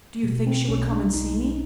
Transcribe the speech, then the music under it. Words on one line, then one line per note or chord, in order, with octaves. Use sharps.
"Do you think she would come and see me?"
B2
C4
B1 C#4
D4
B1 D#4